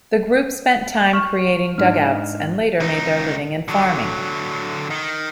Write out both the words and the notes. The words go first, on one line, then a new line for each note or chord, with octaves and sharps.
The group spent time creating dugouts and later made their living in farming.
C#6 F6 E7
G#2 D4 F6
C#2 D#4
D3 F#3
D#3